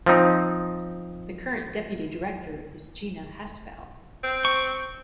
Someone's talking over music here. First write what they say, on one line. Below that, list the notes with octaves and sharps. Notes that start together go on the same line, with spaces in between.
The current Deputy Director is Gina Haspel.
F3 C4 D#4
C4
C#6